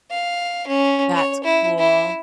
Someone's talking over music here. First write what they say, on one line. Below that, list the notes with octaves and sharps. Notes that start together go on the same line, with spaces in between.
That's cool.
F5
C#4
C#5
E4
E4